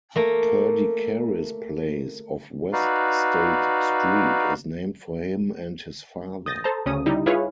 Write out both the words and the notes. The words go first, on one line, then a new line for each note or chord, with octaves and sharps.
Perdicaris Place, off West State Street, is named for him and his father.
A3 A#3
D#4 F#4 B4 D5 F5
D#6 G6 A6 A#6
A4 C5 A5 A#5
D2 C#3 C#4 D#6
G3 D#4 E4
E4 F4 G#4 B4 C#5 F5